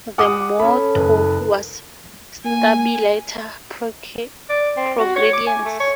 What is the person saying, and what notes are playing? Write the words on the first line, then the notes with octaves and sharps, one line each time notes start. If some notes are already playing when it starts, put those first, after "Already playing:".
The motto was "Stabiliter progrediens".
F#5 D6 D#6
C#4 A4 B5
F#1 B4
A#3 G#5
D5
C4
F#4
C#5
D6
G#5
A3
C#5